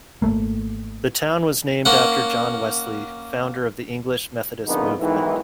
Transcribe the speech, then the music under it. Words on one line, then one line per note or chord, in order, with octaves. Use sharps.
The town was named after John Wesley, founder of the English Methodist movement.
G#1 E2 A3 A#3
A#3 C#4 F#5
A#1 F2 D3 D#3 B3 D#4
B1 G#2 D#3 E3